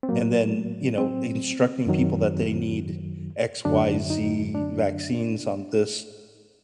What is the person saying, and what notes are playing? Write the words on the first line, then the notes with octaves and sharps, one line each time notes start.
and then, you know, instructing people that they need X, Y, Z vaccines on this
C4
A2 F#3 A#3
C4
F#2 D#3 F#3
F#2 D3 F#3 D4
D#4
D4